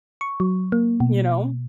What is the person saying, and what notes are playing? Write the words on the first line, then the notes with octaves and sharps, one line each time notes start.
You know?
C#6
F#3
A#3
B2